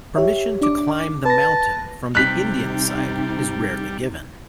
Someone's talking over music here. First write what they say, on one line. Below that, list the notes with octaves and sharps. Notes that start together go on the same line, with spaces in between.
Permission to climb the mountain from the Indian side is rarely given.
G4 C#5 E5
D4 D6
B4 A5 A#6
C3 G3 D#4 F#6 B6